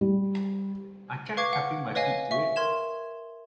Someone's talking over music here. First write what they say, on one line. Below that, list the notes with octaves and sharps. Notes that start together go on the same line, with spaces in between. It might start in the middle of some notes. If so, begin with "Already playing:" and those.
I kept tapping my feet to it.
G3
B4 F5 C#6 D6 G#6
F#5
B4 C#5 D#5 F5 G#5
E5 C#6
A#4 C6 G#6 E7